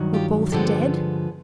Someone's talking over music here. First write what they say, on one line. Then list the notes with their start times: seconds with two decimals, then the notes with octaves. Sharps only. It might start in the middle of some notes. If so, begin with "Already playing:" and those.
Were both dead?
Already playing: G2 D#3 F#3
0.13 F4 G4
0.52 G2 D3 F3 G#3 B3 G4 A4